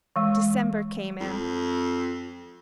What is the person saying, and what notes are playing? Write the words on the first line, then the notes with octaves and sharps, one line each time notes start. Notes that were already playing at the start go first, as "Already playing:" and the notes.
December came in.
E3 G#3
F2